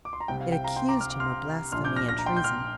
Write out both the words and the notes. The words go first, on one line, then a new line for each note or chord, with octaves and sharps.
It accused Him of blasphemy and treason.
D6
C6
A#5
C2 C3 G3 G5
F5
G5
F5 A#5
G5 C6
A#5 D6
F6
D6
C6 F6
A#1 A#2 F3 D4 C6 F6
D6 G6
F6 A#6
F6 A#6
A#5
G5 C6
G6
C6 F6